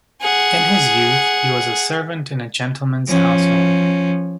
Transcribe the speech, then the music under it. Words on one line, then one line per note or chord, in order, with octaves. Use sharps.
In his youth he was a servant in a gentleman's household.
G#4 F#5
F3 C#4